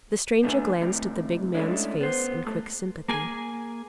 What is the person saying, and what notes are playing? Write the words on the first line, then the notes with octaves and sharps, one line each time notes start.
The stranger glanced at the big man's face in quick sympathy.
D3 A3 B3 D4 B4 G#5
C#2 A2 C3
G#3 A3 C#4 D4 E4
B3 C5
G2 A3
A#3 G#4 G#5